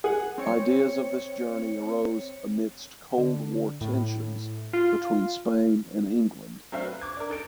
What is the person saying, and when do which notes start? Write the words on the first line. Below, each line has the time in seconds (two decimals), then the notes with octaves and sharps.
Ideas of this journey arose amidst cold war tensions between Spain and England.
0.04 G#4 F#5
0.38 C4 C#5 C#7
3.18 D3
3.81 A2
4.73 F4
6.72 F#3 A3 C4 D4 E5 F5
6.85 B4
7.01 C#6 D6 G#6
7.17 D4 A#4
7.30 D#4 A4 D7